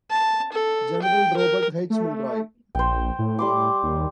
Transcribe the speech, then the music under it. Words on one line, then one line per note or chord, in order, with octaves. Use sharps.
General Robert H. Milroy.
A5
A4
G5
A#4
A3
A#1 C5 G5
A2
G3 C6 D6
D#2